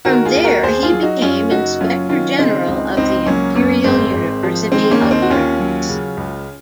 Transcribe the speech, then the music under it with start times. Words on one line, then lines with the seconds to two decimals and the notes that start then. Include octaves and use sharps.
From there he became inspector general of the Imperial University of France.
0.05 D#3 F#4 A#4
0.25 F4 G#4
0.35 D#2
0.44 F#4 A#4
0.63 D#2 G#4 C5
0.83 F4 G#4
0.93 F#3
1.02 D#4 F#4
1.22 F#2 C#4 F4
1.51 F#1 D#4 F#4
1.81 F#3 C#4 F4
2.09 D#3 C#4 F4
2.38 C#3 C4 D#4
2.68 C#2
2.97 C#2 C4 D#4
3.26 F#3 A#3 C#4
3.55 F#2 A#3 C#4
3.84 G#1 G#3 C4
4.14 G#1
4.43 F3
4.72 D#3 G#3 C4
4.91 A#3 C#4
5.02 D#2
5.11 C4 D#4
5.22 F#4
5.30 D#2 C#4 F4
5.60 F#3
5.89 C#3
6.17 C#2